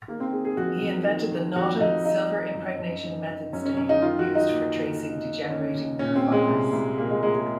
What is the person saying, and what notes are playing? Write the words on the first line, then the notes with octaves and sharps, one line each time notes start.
He invented the Nauta Silver Impregnation Method stain, used for tracing degenerating nerve fibers.
D#3 A#3
C4
D#3 G#4
G#4
F2 F#4
F2
D#3
D#3
F2 F#4
F2 D#4
D#3 D#4
D#3
F#2
F#2
D#3
D#3
F#2 C#4
C#4
F#2 C#4
D#4
D#3 F4
F#4
D#3
D#4
D#2
D#2
D#3
D#3
D#2 C#4
D#2
A#2 C#4
C4
A#2
G#3
C2
C2
A#2 A#3
G#3
A#2 G#3
G#3